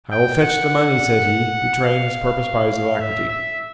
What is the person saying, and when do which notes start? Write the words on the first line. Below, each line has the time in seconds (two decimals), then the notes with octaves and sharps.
"I will fetch the money," said he, betraying his purpose by his alacrity.
0.12 G5
0.41 F#5
1.85 F5
3.01 E5
3.29 E5